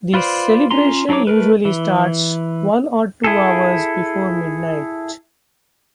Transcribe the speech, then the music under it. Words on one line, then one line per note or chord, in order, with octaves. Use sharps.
The celebration usually starts one or two hours before midnight.
F4 B4 C5 D5
C#4 F4 A#5 C6
F#3 D4 D#4 C#5 D6
A3 A#4 B4
E3
E4 G#4 A4